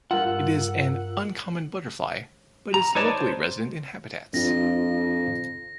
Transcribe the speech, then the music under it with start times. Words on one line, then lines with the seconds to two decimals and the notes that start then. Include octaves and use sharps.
It is an uncommon butterfly but is locally resident in habitats.
0.11 G2 F4 A#4 F#5 E6
2.74 A#5
2.95 D#4 B4 C#5 D5 A5
3.15 C5
4.34 F2 C4 D4 F4 A#6